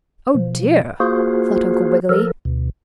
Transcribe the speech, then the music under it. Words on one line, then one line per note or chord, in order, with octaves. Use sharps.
"Oh, dear!" thought Uncle Wiggily.
B2 F3
A#3 F4 F#4 G#4 C5
F3 A4 A#4
D2 B2